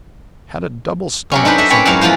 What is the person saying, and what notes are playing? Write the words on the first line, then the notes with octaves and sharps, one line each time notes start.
Had a double stomach, or something.
C3 F#3 C#4
D4 D#4 A4 B4 C5
A4 D#5 E5
C4 C#4 A4 B4 C#5 D5
F#2 A2 G#3 A#4 C#5 F5
E2 E3 F3 F4 C5